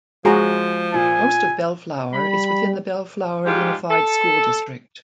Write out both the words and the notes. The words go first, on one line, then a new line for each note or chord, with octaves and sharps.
Most of Bellflower is within the Bellflower Unified School District.
F3 G#3 F#4 G#4 A#5
A#2 G#5
G3 B5
G#2 G3 G#3 F4 G4
A4